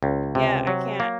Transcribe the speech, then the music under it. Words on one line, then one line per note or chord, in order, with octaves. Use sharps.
yeah I can't,"
C#2
C3
F#3
A#3